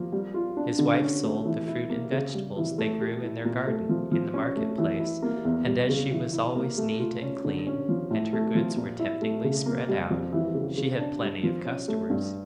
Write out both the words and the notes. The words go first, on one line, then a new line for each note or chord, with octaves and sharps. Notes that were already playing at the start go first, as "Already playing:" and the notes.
His wife sold the fruit and vegetables they grew in their garden in the Market Place, and as she was always neat and clean and her goods were temptingly spread out she had plenty of customers.
Already playing: F3 A#3
G3
F4
D4
D3
C#4
A3
E3
E4
A#3
C#3
G3
E3
A3
G4
E4
A#2
A3
F3
F3
C#4
A3
E3
E4
A#3
E2
G3
C#3
E3
E4
A#3
A3
F4
C#4
D3
C#4
F3
A2
A3
F3
A#2
E4
A3
C#3
A#3
G3
F2
E3
C#3
C#3
D4
G3
F3
C#4
A3
G2